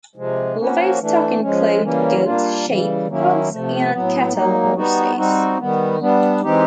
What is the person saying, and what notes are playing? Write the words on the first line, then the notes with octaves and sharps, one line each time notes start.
Livestock include goats, sheep, hogs, and cattle, horses.
C3 F3 G#3
F3 A#3 C#4 F#4
E3 A3 D4
F3 G#3 C#4
C#3 E3 G3 A#3 C#4
G3 A#3 D4 F4
C#3 E3 G3
D#3 F#3 A#3 C#4 E4
C3 F3 A3
A2 F#3 B3
F#3 A#3 D#4
G3 B3 D#4 F#4
G3 C4 D#4 F#4
D#3 G3 B3
G3 B3 D4
E3 G#3 C4 D#4 G4